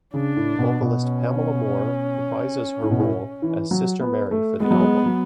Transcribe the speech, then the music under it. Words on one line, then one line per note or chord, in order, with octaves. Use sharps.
Vocalist Pamela Moore reprises her role as Sister Mary for the album.
C#3 D4
A2
B2
B2
C#4
A2
B2
A2
E3
F#3
B3
A3
G#3 B3
F#3
G#3
F#3